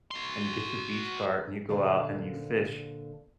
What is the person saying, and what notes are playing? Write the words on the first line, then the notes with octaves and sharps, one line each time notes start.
and you get your beach cart and you go out and you fish
F#4 C6
A#2 D3 C5 D5 F5 A5